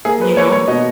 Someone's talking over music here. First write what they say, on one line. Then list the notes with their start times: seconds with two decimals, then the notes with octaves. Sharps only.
you know?
0.05 A#3 G#4
0.21 B4
0.36 A#3 C#5
0.52 C#5
0.68 B2 D#5